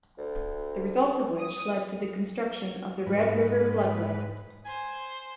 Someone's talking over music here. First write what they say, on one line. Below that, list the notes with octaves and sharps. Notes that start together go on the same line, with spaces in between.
The result of which led to the construction of the Red River Floodway.
D2
D#6
G#2 B4
C5 G#5